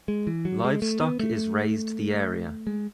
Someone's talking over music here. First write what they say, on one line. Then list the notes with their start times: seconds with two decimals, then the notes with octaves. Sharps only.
Livestock is raised the area.
0.08 G#3
0.27 E3
0.45 F#3
0.64 G#3
0.82 A3
1.00 B3
1.20 A3
2.67 G#3